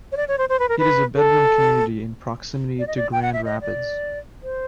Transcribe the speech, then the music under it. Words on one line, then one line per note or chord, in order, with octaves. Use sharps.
It is a bedroom community in proximity to Grand Rapids.
C#5
D5
C#5
C5
C5
B4
A#4
B4
A4
D5
D#5
D5
G5
F#5
E5
D#5
D5
C5